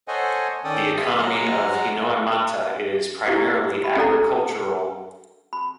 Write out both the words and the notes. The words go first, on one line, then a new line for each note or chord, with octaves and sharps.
The economy of Hinoemata is primarily agricultural.
A4 C5 C#5 D#5 F#5 G#5
D#3 C#4 A4 D5 G5 D#6
E5 F5 C6 D#6
F#3 G#3 F#5 A#5 F6
E4 G4 F5
G4 B5
C#4 D4 A4 D5 A#5
B5